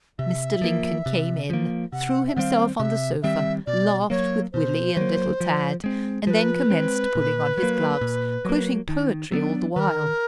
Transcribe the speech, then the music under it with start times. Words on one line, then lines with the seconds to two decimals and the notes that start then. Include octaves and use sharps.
Mr. Lincoln came in, threw himself on the sofa, laughed with Willie and little Tad, and then commenced pulling on his gloves, quoting poetry all the while.
0.19 C3 E5
0.62 F3 A#3
1.06 C3
1.50 F3 A#3
1.92 C3 F#5
2.27 E5
2.36 D#3 G3 C4 F5 F#5
2.80 C3 E5
3.23 D#3 G3 C4 E5
3.67 B2 D5
4.10 F#3 A#3 C#5
4.53 B2 C5
4.97 F#3 A#3
5.40 F3
5.84 G#3 C4
6.27 F3 B4 C5
6.70 G#3 C4
7.15 A#2
7.57 F#3
7.63 A#3
8.01 A#2
8.45 F#3 A#3
8.89 D#3
9.32 F#3 B3 D4
9.75 D#3 A#4 B4